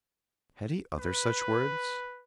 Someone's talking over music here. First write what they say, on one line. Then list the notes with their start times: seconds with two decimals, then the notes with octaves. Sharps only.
Had he other such words?
0.98 B4